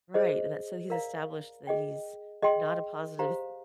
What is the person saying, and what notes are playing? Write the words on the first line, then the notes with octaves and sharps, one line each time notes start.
Right, and that so he's established that he's not a positive s
G#4 C5 D#5
A#4 D5 F5 A#5
G#4 D#5 G5
G#4 D#5 G5 C6
G4 C5 F5 A#5